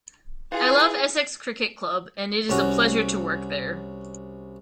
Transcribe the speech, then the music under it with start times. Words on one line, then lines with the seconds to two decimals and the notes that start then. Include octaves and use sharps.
I love Essex Cricket Club and it is a pleasure to work there.
0.52 E4 F4 G#4 B4 F5
2.50 C2 C#4 F#4